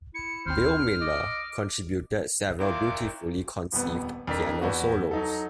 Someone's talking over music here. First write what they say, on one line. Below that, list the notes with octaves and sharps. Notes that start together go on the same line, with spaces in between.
Bill Miller contributed several beautifully conceived piano solos.
E4 C#7
G#1 D#2 C4 C5 F6
D#5 D6
E4 F4 A#4 D6
D#1 F2 B3
F2 D4 A#4 B6
E2 B3 F#4
F#3 D#4 A4